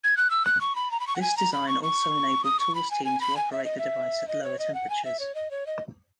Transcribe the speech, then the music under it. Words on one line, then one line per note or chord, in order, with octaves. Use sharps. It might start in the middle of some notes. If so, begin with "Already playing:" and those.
This design also enabled Tour's team to operate the device at lower temperatures.
G#6
F#6
E6
F#6
C#6
B5
A#5
B5
C#6
F#5
G#5
A#5
B5
C#6
C#6
D#6
C#6
B5
G#5
G#5
B5
G#5
E5
D#5
E5
D#5
C#5
D#5
F#5
G#5
E5
C#5
D#5
C#5
D#5